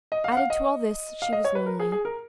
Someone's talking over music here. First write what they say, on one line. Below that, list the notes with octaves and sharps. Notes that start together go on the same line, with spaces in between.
Added to all this, she was lonely.
D#5
F5
F#5
F5
D#5
F5
D#5
C#5
B4
A#4
G#4
G#4
A#4